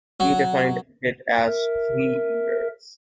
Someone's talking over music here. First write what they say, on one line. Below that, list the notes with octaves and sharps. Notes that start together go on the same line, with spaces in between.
He defined it as "tree eaters".
F#3
A#4 E5